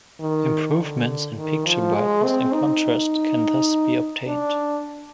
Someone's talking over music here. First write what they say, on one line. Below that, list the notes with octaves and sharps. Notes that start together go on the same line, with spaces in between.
Improvements in picture brightness and contrast can thus be obtained.
D#3
D3
D#3
F3
G#3
C4
D#4
D4